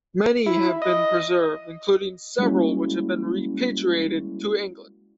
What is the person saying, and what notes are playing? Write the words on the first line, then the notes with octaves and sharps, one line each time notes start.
Many have been preserved, including several which have been repatriated to England.
E4
D#5
G3 G#3 A#3 C#4 E4 F#4